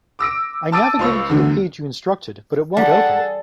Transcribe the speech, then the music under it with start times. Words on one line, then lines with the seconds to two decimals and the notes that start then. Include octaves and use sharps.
I navigated to the page you instructed, but it won't open.
0.19 D6 E6 A#6 D7
0.72 A5 D6 E6 A6 D7 D#7
0.99 C#2 F4 C5 C#6 E6
1.29 E2 D3 F#3 A3
2.77 G3 G#4 A4 F#5